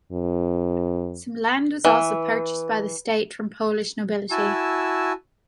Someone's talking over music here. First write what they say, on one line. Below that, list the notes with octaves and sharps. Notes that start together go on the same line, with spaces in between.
Some land was also purchased by the state from Polish nobility.
F2
E3
E4 F#4 G#5 A5 E6